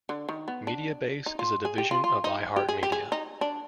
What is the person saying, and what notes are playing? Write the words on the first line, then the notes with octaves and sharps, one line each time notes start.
Mediabase is a division of iHeartMedia.
D3
D#3
B3
D4
D#4
F4
G#4
G4
F4
F4
D#4
G4
G#4
G4
G#4
D#4
D4